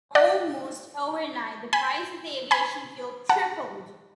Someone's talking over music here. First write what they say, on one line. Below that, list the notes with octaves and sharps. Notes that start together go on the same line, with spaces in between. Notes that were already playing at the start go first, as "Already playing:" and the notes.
Almost overnight, the price of aviation fuel tripled.
D5 F#5
G#5 B5
G#5 B5
F#5 A5